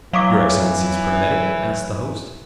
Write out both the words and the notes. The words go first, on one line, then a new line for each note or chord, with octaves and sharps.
"Your excellencies permit it?" asked the host.
E3 F#3 F5 C#6 D6